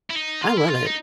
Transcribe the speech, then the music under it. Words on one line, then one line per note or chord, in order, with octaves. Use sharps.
I love it.
E4
D#4
F4
E4
F4
D#4